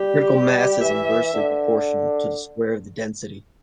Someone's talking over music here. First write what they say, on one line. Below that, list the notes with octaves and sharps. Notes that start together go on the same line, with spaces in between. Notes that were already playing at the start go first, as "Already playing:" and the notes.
The critical mass is inversely proportional to the square of the density.
Already playing: G3 G4
E3 E5
D3